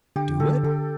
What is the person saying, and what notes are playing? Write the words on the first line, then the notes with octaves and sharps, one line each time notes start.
Do it?
D3 G4
D3 A4
D3 A4